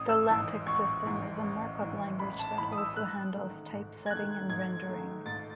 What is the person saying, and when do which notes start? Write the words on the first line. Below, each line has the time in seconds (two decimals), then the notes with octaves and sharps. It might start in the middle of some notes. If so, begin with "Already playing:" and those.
The LaTeX system is a markup language that also handles typesetting and rendering.
Already playing: A1 D#6
0.09 E6
0.29 G#2 E3
0.67 A1 C#6
1.05 G#2 E3
1.44 A1
1.81 G#2 E3
2.19 A1 B5
2.39 A5
2.58 G#2 E3 B5
2.72 D#6
2.78 E6
2.96 G#2 F#6
3.34 D#3 A3
3.72 G#2
4.06 G#6
4.10 D#3 A3 F#6
4.49 G#2 G#6
4.87 D#3 A3
5.25 G#2 A6